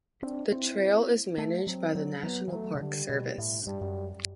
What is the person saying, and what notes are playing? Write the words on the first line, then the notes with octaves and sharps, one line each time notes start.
The trail is managed by the National Park Service.
C4 D4
C4 E4
A3
F#3 C4
F#3
F#3 B3
E3
F#3 A3
C3
D3 G3
B2
A2
G2 G3
F#2